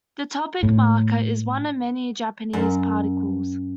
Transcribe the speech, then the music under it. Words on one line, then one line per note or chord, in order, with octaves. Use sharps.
The topic marker is one of many Japanese particles.
A2
F#2